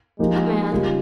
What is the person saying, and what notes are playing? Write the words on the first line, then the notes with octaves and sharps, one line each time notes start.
"What man?"
F3 G#3 A#3 D#4 G4 A#4
C#3 G3 C#4 F4 A#4